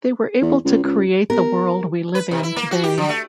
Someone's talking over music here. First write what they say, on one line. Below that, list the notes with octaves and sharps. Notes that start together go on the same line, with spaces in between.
They were able to create the world we live in today.
E2
C#2
C#2
B3 G4 A#4
B4
C3
E4
A#3
F#4
G4
D3
A3